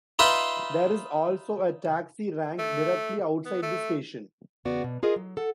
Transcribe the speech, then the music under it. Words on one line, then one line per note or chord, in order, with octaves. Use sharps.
There is also a Taxi rank directly outside the station.
D#4 F4 B4 E5 F5 C6
A3
B3
A3
E2 C#3 B3 F#4 D5
B2
F4 G#4 A#4 D#5
F#3
A4 F#5